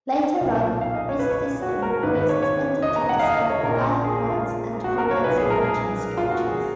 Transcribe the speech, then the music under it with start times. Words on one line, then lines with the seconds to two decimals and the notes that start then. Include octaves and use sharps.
Later on, this system was extended to describe higher plants and complex branching structures.
0.41 B1 A#2
0.81 F5
0.95 D#5
1.09 C#5
1.19 B4
1.30 C#5
1.62 F#4
1.82 A#4
2.03 G#1 G#2 D#3 B4
2.15 B4
2.29 C#5
2.42 C#5
2.82 D#5
2.96 A#5
3.09 F#5
3.19 F5
3.23 D#5
3.36 D#5
3.50 C#5
3.63 A#1 A#2 A#4
4.04 G#4
4.16 G#4
4.30 F4
4.84 F#4
4.98 A#4
5.11 C#5
5.24 B1 A#2 B4
5.37 G#4
5.50 A#4
5.64 G#4
6.17 F4
6.31 F#4
6.45 G#4